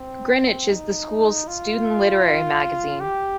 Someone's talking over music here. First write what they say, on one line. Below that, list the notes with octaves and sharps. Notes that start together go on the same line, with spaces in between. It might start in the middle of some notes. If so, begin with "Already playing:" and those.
"Greenwitch" is the school's student literary magazine.
Already playing: C4
D#4
F4
G4